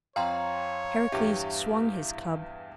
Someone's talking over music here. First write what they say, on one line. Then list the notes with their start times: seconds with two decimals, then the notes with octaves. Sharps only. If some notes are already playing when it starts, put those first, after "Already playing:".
Heracles swung his club.
0.16 F2 C#5 F5 G5 A#5 C6
1.12 E2 G2 G4 E5